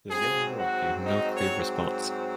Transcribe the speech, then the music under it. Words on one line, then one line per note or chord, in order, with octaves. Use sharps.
The young girl gave no clear response.
G#2 F#3 C4 G#4
F#4
D#4
C#5